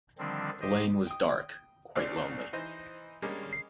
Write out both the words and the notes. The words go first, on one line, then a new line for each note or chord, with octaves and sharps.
The lane was dark, quite lonely.
D3 D#3 F3 G3 C4 D4
G4 C5 D#5
G5 D#6
C#2 C4 D4 D5 F6
E3 D#4 C5 D#5
G3 G#3 A#3 C#4 D4